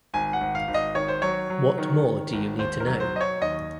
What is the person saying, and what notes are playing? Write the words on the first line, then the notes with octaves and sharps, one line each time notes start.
What more do you need to know?
G#1 G#5
F#5
G#1
F5
G#1
D#5
D#3 C#5
C5
F#3 C#5
F#3
D#3
D#3
G#1
D#2 C5
A#4
F#3
C5
F#3 D#5
C#5
D#2 D#5